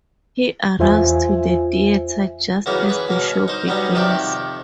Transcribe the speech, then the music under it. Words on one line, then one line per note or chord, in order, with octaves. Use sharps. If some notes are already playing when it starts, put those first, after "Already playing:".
He arrives to the theater just as the show begins.
E2 F4 C5 E5 G#5
C#3 E3 F#3 A#3 B3 C#4
G#4 B4
B2 A#3 C#4
D#4 C5
F#3 G3 B3 C#4 D#4
F2 C3 D#3 G4 D5 E5